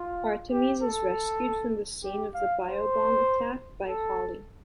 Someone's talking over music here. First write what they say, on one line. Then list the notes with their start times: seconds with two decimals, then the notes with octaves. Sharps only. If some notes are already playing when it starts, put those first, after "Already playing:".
Artemis is rescued from the scene of the bio-bomb attack by Holly.
Already playing: F4
0.51 G4
0.82 A4
2.04 G4
2.35 F5
2.66 C5
3.88 A4